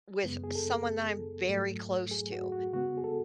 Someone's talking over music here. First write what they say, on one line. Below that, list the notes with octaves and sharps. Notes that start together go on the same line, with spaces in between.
with someone that I'm very close to
F#2 C#3 G#3 B3
G#4
A4
G#2 F#3 A3
G#4
F#4
F#4
C#3 G#3 B3 F#4
G#4
A4